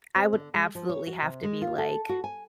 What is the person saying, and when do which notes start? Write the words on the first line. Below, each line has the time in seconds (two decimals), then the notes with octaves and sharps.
I would absolutely have to be, like
0.16 C4
0.33 D3
0.54 G#3
0.75 F3
0.89 C#5
1.07 F#4
1.22 C3
1.44 G#3
1.62 F4
1.78 A4
2.09 F#4
2.24 G#5